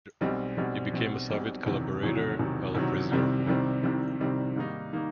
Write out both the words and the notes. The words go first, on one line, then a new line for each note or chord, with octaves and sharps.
He became a Soviet collaborator while a prisoner of war.
B1 B2 G3 C4
B1 B2 G3 C4
B1 B2 G3 C4
B1 B2 G3 C4
E1 E2 C3 D#3 F#3
E1 E2 C3 D#3 F#3
E1 E2 C3 D#3 F#3
E1 E2 C3 D#3 F#3
C2 C3 D#3 G3 C4
C2 C3 D#3 G3 C4
C2 C3 D#3 G3 C4
C2 C3 D#3 G3 C4
G#2 D#3 G3 A#3 D#4
D#3 G3 A#3 D#4